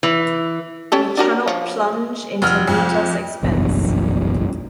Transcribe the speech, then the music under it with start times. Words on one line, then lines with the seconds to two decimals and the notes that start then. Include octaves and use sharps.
We cannot plunge into needless expense.
0.03 E3
0.92 C#4 G4 A4
1.17 D4 F#4 A#4
1.48 F3 C#5
2.42 F1 F6
2.67 F2
3.43 F#1 B1 E2 G2